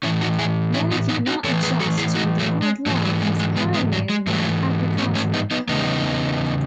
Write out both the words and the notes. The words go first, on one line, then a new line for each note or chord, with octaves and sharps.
Many could not adjust to the hard life as pioneers in an agricultural colony.
A2 E3 C#4 E4
D#4 F#4
E4 G#4
C#4 E4
B3 D#4
B3 D#4
D#4 F#4
A2 E3 A4 C#5
G#4 B4
F#4 A4
E4 G#4
D#4 F#4
F#3 A3
G#3
G#2 E3 F#3 A3
F#3
G#3
G#3
G#3 B3
G#3 B3
F#3
G#3
G#2 E3 F#3 A3
A3 C#4
A3 C#4
B3 D#4
B3 D#4
E2 C#3 B3 D#4